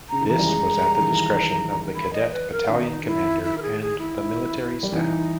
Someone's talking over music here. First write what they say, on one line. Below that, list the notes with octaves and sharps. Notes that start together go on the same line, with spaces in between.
This was at the discretion of the cadet Battalion Commander and the Military staff.
C#3 A#5
D#3
E3 A#5
G3
G#3
G3
G3
D#3
E3
B5
D#5
B4
A#4
D#3 D#4
E4
E4
A#4
G#4
G#4
E4
G3
E3 D#4